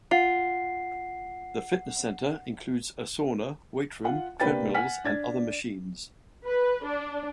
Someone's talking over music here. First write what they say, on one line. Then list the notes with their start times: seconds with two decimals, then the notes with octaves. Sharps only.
The fitness center includes a sauna, weight room, treadmills and other machines.
0.11 F4 F#5 C7
4.04 F4 F#5
4.40 C3 A#3 D4 B4 G5 A6
4.74 F#5 G#5 F6 B6
5.04 D4 G#6 A6
6.46 B4
6.85 D4